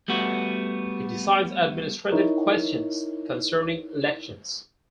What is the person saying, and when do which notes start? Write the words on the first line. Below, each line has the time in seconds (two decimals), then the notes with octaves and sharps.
He decides administrative questions concerning elections.
0.08 G3 A3 B3 F#4
2.11 D#4 E4 A#4 C#5